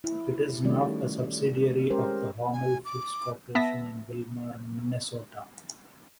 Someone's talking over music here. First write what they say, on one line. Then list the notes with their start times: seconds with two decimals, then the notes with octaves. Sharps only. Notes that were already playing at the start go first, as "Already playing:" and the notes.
It is now a subsidiary of the Hormel Foods Corporation in Willmar, Minnesota.
0.04 E4
0.64 D#3 G3 A3 C#4 F#4 D5
1.90 G#3 C#4 G4 G#4 A#4 C5
2.53 G#5
2.85 D6
3.55 B3 E5 A5 A#6 B6